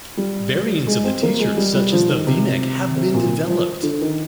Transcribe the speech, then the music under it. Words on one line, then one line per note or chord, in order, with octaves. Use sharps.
Variants of the T-shirt, such as the V-neck, have been developed.
G3
G#3
C4
A#3
G#3
G3
G3
F3
D#3
C3
C3
A#2
F3
D3
D#3